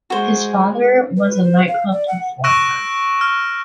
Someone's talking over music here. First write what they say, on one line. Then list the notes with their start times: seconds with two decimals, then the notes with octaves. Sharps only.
His father was a nightclub performer.
0.10 G#3 F#4 C5
1.17 B4
1.43 C5
1.68 F5
1.92 D5
2.08 F#5
2.44 C#6 E6 F#6 A#6 D7 E7
3.21 F6